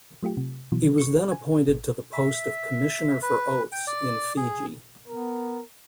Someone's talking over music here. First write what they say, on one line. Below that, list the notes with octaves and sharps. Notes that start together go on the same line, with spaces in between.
He was then appointed to the post of Commissioner for Oaths in Fiji.
F#3 A3 F4 G4
C3
B2 E3 F#3
C#6 C#7
G#5
G#1
E5
B4
G5
D5
G#4
B3 A#4